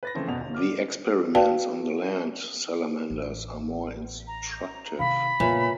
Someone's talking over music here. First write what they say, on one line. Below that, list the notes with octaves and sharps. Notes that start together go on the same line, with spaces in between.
The experiments on the land salamanders are more instructive.
B4 A6 A#6
C#3 E3 F3 A3 C4
E2 B2 F7
G1
D5 D6 F6
F#4 B4 D5 F5 G5 A5
A1
A#5
C3 D#3 F5 B5
A#2 C#3 B4 C#5 E5